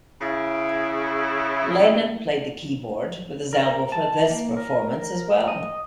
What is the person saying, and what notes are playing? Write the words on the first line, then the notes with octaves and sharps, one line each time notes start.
Lennon played the keyboard with his elbow for this performance as well.
C#3 E4
A#4
A5
A#3
A#4
D#5